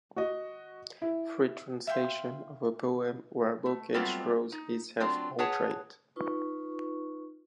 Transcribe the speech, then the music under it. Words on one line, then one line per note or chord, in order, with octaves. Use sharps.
Free translation of a poem where Bocage draws his self-portrait.
F#4 D#5
E4
E5 F5 G5 C6
A3
F#3 G3 A3 B3 C4 F4
D#4
F#3 C4 D4 F4
G#4 B4 C#5 F#5 A5
D#4 F4 B4 C#6